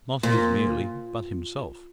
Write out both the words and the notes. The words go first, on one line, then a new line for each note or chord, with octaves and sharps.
Not his merely, but himself.
A#2